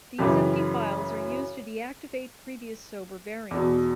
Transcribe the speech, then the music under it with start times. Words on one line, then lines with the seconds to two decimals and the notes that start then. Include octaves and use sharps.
These empty files are used to deactivate previous Sober variants.
0.18 F#2 C#3 E3 G4
3.51 E2 B2